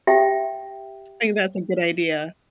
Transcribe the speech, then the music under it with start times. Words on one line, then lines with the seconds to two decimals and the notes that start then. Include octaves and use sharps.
I think that's a good idea.
0.07 G4 E5 G5